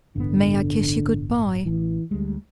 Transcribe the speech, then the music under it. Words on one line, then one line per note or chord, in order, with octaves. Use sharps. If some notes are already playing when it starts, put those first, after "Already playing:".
"May I kiss you good-by?"
A1 G2 D3 B3
A1 E3
D2 G3 G#3